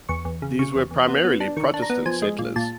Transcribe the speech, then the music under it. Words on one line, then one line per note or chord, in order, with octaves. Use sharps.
These were primarily Protestant settlers.
E2 C#6
E2
C#3
C#3 C#6
E2
E2
B3
B3
D4
D#3 C#6
D4
A#5
B3
F3 G#5
G#3
A#2
A#2 A5